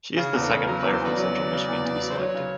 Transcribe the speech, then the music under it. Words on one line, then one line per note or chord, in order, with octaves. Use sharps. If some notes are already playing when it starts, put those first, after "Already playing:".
She is the second player from Central Michigan to be selected.
C#3 G#4
E2
C4 D4 A4
C#3
F#3 A#4
E2 B4
C5
E2 A4 B4 D5
F#3
F#3
C#3
E2
E2
F#3
C5
F#3 C#5
C#3